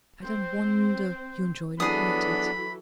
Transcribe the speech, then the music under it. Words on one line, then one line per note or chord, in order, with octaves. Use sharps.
I don't wonder you enjoy looking at it.
C4 C5
E3 F#3 B3 D4 G#4 A4 B5 D#6